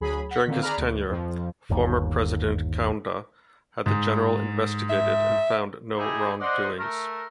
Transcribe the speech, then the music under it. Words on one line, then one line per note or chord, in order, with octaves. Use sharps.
During his tenure, former president Kaunda had the General investigated and found no wrongdoings.
D2 F#3 G#4 B5
F#5 B6
D3 D#3 A#3 C4
G#4 D5 A#5 B5 F6 F#6
D2
F2 F3
G1 D#2
G#2
E5
A3 D#4 E4 G4 G#4
C5 D5 D#5 F#5
A3 A#4